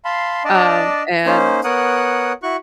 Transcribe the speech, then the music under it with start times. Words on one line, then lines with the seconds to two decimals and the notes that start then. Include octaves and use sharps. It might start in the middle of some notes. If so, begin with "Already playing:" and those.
Um, and,
0.05 F5 A5 B5 C6
0.44 D4 D5 D#5 A5
1.26 A#3 C#4 D#4 C5
1.64 B3 A#4 C#5 F#5 D#6 F#6
2.43 E4 F#4 C#6 F#6